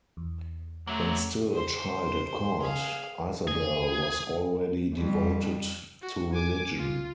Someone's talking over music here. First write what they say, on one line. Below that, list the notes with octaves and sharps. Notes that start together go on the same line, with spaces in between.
When still a child at court, Isabelle was already devoted to religion.
E2
F#3 A3 A#3 E5
C5 C6
G#4 F5
G#4
F2 G3
F#4
G#5 D6
F4